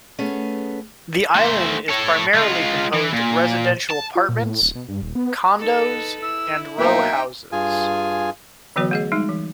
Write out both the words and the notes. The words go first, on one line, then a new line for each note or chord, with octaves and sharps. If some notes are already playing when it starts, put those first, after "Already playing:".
The island is primarily composed of residential apartments, condos and row houses.
A3 B3 C#4 G#4
A3 C5
A4 C#5
G#3 F4
E3
A#2
A5
F4
A#2
A2
D1
B2
G2
D#1
B3
D#4 A4 B4
E4 E6
B2 F#3 A#3 D#4 E5 G5
G2 F4 G#4 G#5
D3 E3 F#3 B3 F#4 C#5
A3 G#4 D#5
G3 G#3 D#4
E3